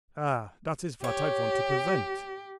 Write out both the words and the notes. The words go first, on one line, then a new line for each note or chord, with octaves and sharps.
"Ah! dat is vat I vant to prevent."
G4 C#5